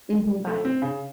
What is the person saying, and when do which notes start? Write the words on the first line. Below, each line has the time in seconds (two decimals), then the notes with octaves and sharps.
Mhm, bye.
0.47 A3
0.65 C4
0.82 C#3